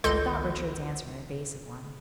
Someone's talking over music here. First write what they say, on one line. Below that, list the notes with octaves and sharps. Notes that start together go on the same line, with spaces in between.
He thought Richard's answer an evasive one.
G#1 C#2 A4 D#5 C6 G6